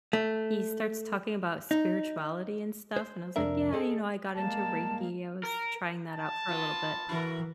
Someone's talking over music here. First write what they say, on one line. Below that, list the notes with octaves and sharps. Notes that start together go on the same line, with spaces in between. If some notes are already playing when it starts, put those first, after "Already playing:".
he starts talking about spirituality and stuff, and I was like, "Yeah, you know, I got into Reiki. I was trying that out for a little bit."
A3
D#4
C5
C2 F2 D4 A#4 E5
G#4 A4 D#5
G3 G#3 A#3 A5
A#4
A5
B3 F4
E3 E4 F#4 A#4